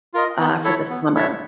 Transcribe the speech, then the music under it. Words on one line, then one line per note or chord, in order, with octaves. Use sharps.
uh, for the summer.
F4 A#4 D#5
B3
E4 A4 C#5 E5
B3
E4 A4 C#5 E5